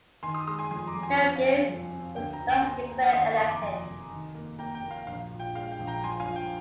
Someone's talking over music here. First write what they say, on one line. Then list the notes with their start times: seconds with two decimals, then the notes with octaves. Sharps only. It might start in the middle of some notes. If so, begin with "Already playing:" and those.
Meredith was thus declared elected.
0.23 D#3 G#5 C6
0.34 C6 D#6
0.47 G#3 C6 D#6
0.59 G#5 C6
0.71 F2 G#5 C6
0.87 A#5 D6
0.95 F2
1.03 G#5 C6
1.19 C4
1.36 F5 G#5
1.44 C3
1.52 F5
1.69 F2
1.93 C4
2.16 D2 G5
2.33 G5 A#5
2.40 D2
2.65 A#3 G#5 C6
2.89 A#3
3.13 D#3 C6 D#6
3.37 F1 C6 D#6
3.49 A#5 D6
3.62 F2 G#5 C6
3.86 F1
4.10 D#3
4.35 A#3
4.59 A#3 G5 A#5
4.75 G5
4.83 A#3
4.91 F5
5.07 A#1 F5
5.31 A#2
5.39 G5
5.55 G#3 F5
5.72 G5
5.80 A#1
5.87 G5 A#5
6.04 F3 G#5 C6
6.20 F5 G#5
6.28 F3
6.36 G5